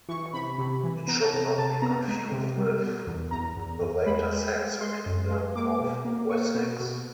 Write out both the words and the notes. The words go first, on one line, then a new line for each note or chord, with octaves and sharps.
It should not be confused with the later Saxon kingdom of Wessex.
E3 C#6
C3 B5
C3
E3
B3 A#5
A5
C3 A#5
C3 A5
B3 A#5
G#3
C3
G3
B2
E2
E2 A#5
E2
E2
G#3 B5
G#3
G#3
G#3 C6
F#2
G#3
A#3 D6
B2
A#3
A#3 C#6
B2
B2